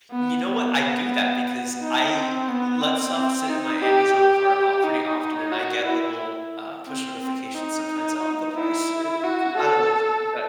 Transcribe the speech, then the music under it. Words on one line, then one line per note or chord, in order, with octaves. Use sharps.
you know what, I do that because I let stuff sit in my Amazon cart of pretty often, and I get little, uh, push notifications sometimes. "Oh, the price," or "cou" I don't know, stuff like that.
B3
B3
D#4
C4
B3
C4
C4
D#4
G4
G4
D#4
F#4
E4
C4
C4
D#4
E4
F#4
A4